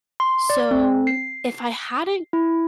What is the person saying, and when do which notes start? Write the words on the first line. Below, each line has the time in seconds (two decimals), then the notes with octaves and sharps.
So if I hadn't
0.20 C6
0.50 D5
0.71 C4
1.07 C7
2.33 E4